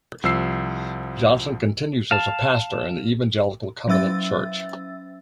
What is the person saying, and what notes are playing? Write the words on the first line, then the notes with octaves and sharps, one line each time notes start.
Johnson continues as a Pastor in the Evangelical Covenant Church.
C2 F3 E6 C7
F5 A5
F#3 C#4 E5 E6 A6